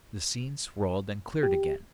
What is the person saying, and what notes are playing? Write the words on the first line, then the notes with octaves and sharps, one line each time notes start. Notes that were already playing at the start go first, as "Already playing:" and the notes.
The scene swirled and cleared again.
G4